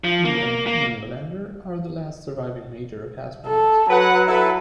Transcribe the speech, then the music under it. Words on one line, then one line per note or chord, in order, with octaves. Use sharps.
He and Ian Lavender are the last surviving major cast members.
F3
A#3
A#3
A4
F#3 B4 F#5
E4 A4 B4